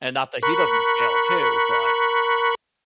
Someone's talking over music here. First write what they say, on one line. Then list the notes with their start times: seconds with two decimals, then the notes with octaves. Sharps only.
and not that he doesn't fail too, but
0.43 A#4 B5 C#6 F#6